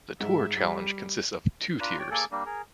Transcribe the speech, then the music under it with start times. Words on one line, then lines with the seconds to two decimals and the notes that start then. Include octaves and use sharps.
The Tour Challenge consists of two tiers.
0.20 G#2 E5
0.57 G3 B6
1.80 D4 F4 B4 A#5
1.99 C#5 D5 G5
2.11 A#3 G#4 A4 D5
2.32 G3 A#3 D4
2.46 G#4 A#4